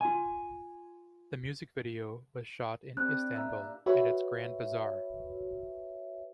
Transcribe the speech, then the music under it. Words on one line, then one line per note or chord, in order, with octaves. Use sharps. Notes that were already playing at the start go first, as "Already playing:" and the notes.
The music video was shot in Istanbul, and its Grand Bazaar.
F4 G#5
C4 D4 G4 B4 F#6
A#2 E5 A#5
F#4 B4 C#5 E5